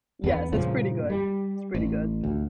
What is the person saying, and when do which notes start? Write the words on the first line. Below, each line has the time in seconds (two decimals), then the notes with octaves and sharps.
Yes, so, it's pretty good. It's pretty good.
0.24 E2 B3
0.52 G2 A#2 C#3 F3
1.10 G3
1.75 A1
2.24 D2